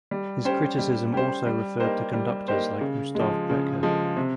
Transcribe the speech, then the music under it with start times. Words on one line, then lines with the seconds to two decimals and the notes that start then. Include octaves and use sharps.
His criticism also referred to conductors like Gustav Brecher.
0.11 G3
0.45 C#4 G4 C5
0.79 G3
1.13 C#4 G4 C5
1.47 G3
1.80 A#3 D#4 G4 C5
2.13 G3
2.48 A#3 D#4 G4 C5
2.81 C#3
3.15 F3 G#3
3.50 C#3
3.83 F3 G#3
4.16 C3